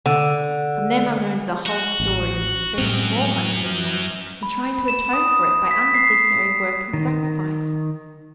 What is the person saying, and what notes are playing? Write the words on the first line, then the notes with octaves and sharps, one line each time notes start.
From them I learned the whole story of his spending more money than he ought and trying to atone for it by unnecessary work and sacrifice.
D3
F#4
A1
F#2 A2 C4
B5
E7
D#6
B6
C7
D#3